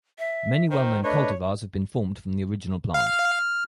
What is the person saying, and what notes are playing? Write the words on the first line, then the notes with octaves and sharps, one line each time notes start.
Many well known cultivars have been formed from the original plant.
E5
D#3 C5
A3 D4 B4 C#5 D#5
F5 F6